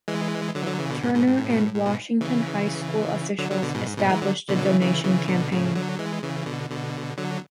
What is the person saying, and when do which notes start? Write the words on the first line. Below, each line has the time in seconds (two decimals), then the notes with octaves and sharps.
Turner and Washington High School officials established a donation campaign.
0.08 E3 G#3
0.55 D3 F#3
0.62 E3
0.67 D3 F#3
0.79 C#3 E3
0.90 B2 D3
1.02 G#2 B2
1.14 G#2 B2
1.27 G#2
1.38 A2
1.49 G#2 B2
1.61 A2
1.74 A2
1.85 G#2 B2
2.21 C#3 E3
3.38 D3 F#3
3.51 D3 F#3
3.62 B2 D3
3.74 G#2 B2
3.87 G#2
3.98 G#2 B2
4.09 E3 G#3
4.22 D3 F#3
4.49 B2 D3
4.59 F#3
4.65 C#3 E3
4.80 C#3 E3
5.04 C#3 E3
5.28 B2 D3
5.52 A2 C#3
5.75 D3 F#3
5.99 E3 G#3
6.23 C#3 E3
6.46 B2 D3
6.70 B2 D3
7.17 D3 F#3